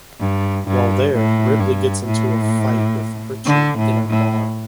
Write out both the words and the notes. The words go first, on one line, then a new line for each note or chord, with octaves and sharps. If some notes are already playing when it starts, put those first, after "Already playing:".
While there, Ripley gets into a fight with Pritchard in a bar.
G2
G2
A2
G2
A2
D3
A2
A2